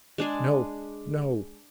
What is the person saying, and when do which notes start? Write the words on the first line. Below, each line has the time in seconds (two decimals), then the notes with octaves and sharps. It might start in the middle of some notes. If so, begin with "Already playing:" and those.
No, no.
0.18 G#3 D4 G#4